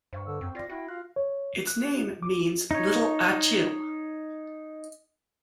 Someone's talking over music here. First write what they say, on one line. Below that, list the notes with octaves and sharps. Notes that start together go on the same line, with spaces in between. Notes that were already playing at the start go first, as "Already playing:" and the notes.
Its name means "Little Achill".
G2 C5 F5 C#6
D3 E6
F#2 C4
F4 D5 F5 A#6 C7
E4 F#4 G5
F4 F5 F#6
C#5
F#6
D6
D#4 C#5